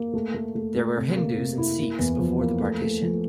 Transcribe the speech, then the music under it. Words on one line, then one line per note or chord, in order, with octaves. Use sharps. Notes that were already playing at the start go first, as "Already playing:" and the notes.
There were Hindus and Sikhs before the partition.
Already playing: A#3
A3
A3
A3
A3
C3
A#3
C3
E4
A#3
E2
F3
A#3
A3
A3
F3